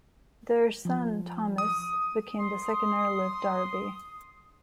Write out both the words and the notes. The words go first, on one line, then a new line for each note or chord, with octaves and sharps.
Their son, Thomas, became the second Earl of Derby.
F3
D#6
C6 D#6